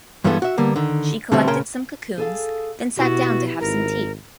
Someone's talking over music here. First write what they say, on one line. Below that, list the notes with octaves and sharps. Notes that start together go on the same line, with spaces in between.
She collected some cocoons, then sat down to have some tea.
G2 E3 G3 G#3 B3 A4
F#4 E5
D3 G3 A#3 B3
D3 D#3
B2 D3 G3 A3 B3 C4
A#2 C#3 A#4 G5 A5 C6
G#4 A4 F5
B2 B3 E4 F#4 G4
G#1 A#4